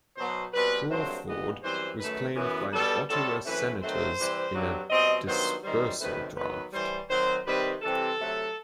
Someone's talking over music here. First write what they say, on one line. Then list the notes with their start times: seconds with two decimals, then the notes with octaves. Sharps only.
Crawford was claimed by the Ottawa Senators in a dispersal draft.
0.17 B2 F#3 B3 C5
0.54 B2 G3 C4 B4
0.90 G2 F#3 A3 C4 C5
1.26 G2 E3 B3 D#5
1.63 F#2 E3 G3 C4 C5
1.99 F#2 D#3 A3 B4
2.36 F#2 E3 B3
2.72 B2 G3 B3 A4
3.09 A2 G3 C4 A4
3.45 F#2 E3 A3 C4 B4
3.81 D#3 F#3 A3 C4 C5
4.18 C3 E3 G3 C4
4.55 G2 F#3 C4
4.90 B2 G3 C4 D#5
5.27 G2 D#3 F#3 B3 C5
5.64 F#2 D#3 G3 C5
6.00 F#2 D#3 A3 C4 B4
6.36 D#3 F#3 B3 B4
6.73 A2 E3 G3 C5
7.09 D#3 F#3 C4 C5
7.45 C3 D#3 G3 C4 B4
7.82 C3 E3 G3 C4 A4
8.19 C3 F#3 A3